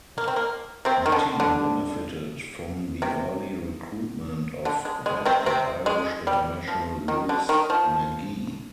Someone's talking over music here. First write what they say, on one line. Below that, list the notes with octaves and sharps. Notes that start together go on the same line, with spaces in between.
The team benefited from the early recruitment of vet and Irish international Louis Magee.
A#3
C4
A#3
C3 C4
D#3
D3
D3
C3
D3
G#3
G#3
C3 C4
C3 C4
G#3
G3
F3
D#3
D3
D#3
F3